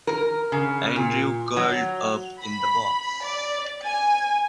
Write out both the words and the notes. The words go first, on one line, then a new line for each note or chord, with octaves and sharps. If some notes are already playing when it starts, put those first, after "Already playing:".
Andrew curled up in the box.
A#4
C#3
A#2
F#3
B5
D5
G#5